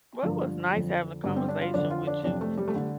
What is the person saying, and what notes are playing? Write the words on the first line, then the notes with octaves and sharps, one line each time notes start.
Well, it was nice having a conversation with you.
G2 D3 F3
F2 D3
G2 D3 G3
C4
D4
F4
F2 D3 D4
F4
D4
F2 C3 D4
A3
G3
A3
D3 G3